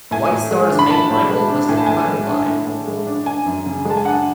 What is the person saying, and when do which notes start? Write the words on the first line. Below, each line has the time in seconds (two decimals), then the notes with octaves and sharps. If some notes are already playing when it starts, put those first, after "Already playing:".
White Star's main rival was the Cunard Line.
0.11 A2 G#5
0.31 A2
0.51 G#3
0.70 D4
0.79 B5
0.90 A2 A5
1.11 A2
1.30 G#3
1.50 D4
1.69 A2 G#5
1.77 A5
1.87 A2 G#5
2.08 G#3
2.28 D4
2.47 A2
2.67 A2
2.87 G#3
3.07 D4
3.26 D4 G#5
3.46 F#2
3.66 C#3
3.85 G#3 A5
3.97 G#5
4.05 D4 F#5